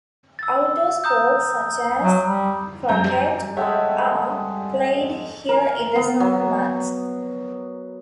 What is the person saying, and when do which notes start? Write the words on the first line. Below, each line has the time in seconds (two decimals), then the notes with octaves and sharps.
Outdoor sports such as croquet are played here in the summer months.
0.39 E6 A6
1.04 A#5 D#6 G6
2.01 F#3
2.23 G3
2.89 F#2 A#5 G6
3.04 G3
3.56 G#3 G4 A4 C#5 E5 F#5
5.49 A#4
5.95 B3
6.20 F#3